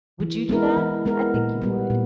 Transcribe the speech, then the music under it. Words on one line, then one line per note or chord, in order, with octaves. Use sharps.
Would you do that? I think you would.
E3
G#3 B3 E4 A#4
E3
G#3 B3 E4 A#4
A#2
G3 B3
A#2